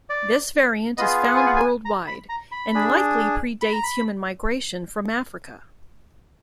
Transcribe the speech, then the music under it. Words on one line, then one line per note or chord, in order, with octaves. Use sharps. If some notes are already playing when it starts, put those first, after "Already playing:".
This variant is found worldwide, and likely predates human migration from Africa.
D5
B3 F4 G#4 D#5
F#5
G#5
F#5
G#5
A#5
B5
A#5
B5
D4 G#4
B5
A#5
B5